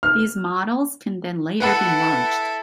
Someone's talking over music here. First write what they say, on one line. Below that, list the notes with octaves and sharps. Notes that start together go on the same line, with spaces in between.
These models can then later be merged.
F6
E4 A4 B4 F#5 B5